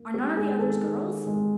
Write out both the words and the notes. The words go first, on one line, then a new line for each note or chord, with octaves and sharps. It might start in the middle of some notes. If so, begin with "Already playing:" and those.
"Are none of the others girls?"
Already playing: A#3
G#3 G4
G#3 G#4
D#3 A4
D#3
D#3
G#3